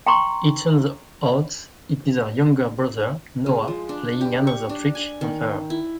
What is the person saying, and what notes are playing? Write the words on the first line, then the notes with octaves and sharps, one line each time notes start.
It turns out it is her younger brother, Noah, playing another trick on her.
G5 A#5 C6 C#6
G#3
F3
D4
G4
C#6
D4
G#5
D#3
E4